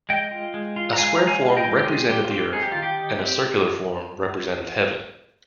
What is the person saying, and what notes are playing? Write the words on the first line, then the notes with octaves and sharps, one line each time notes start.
A square form represented the earth and a circular form represented heaven.
G#3 D#5 G5
F4
G#3
F4
A#5
G#3 F5 G#5
G#3 A#5
F5 G#5
F4
D#5 G5
G#3
G4
C4 F4 G#4
G3 G4
F4
C4 G4
D#4 G#4
G4
D#3 F4
G4
D#4
C4